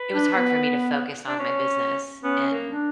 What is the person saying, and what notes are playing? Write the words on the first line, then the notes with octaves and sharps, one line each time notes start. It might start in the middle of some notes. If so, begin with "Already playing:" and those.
it was hard for me to focus on my business, and,
Already playing: B4
D4
B3
D4
C#4
B3 C#4
A#3
D4